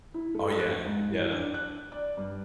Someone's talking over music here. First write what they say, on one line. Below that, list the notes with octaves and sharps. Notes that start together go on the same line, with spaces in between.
Oh, yeah. Yeah.
E4
A3
F#6
G#2
E3
D4
F#6
D5
G2